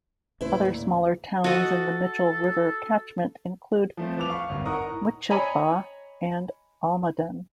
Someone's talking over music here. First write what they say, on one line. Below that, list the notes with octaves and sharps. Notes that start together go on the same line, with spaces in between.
Other smaller towns in the Mitchell River catchment include Mutchilba and Almaden.
D#2 A2 C#3 E4 B4 C5
A#2
F#4 A4 D#5
F3 A3 C4
F3 B4 D6 F7
F5 C#6
G#1 D2 G2
D#4 A#4 F#5 A#5 C#6 D#6
A2
C#5 D#5 G#5 A#5 B5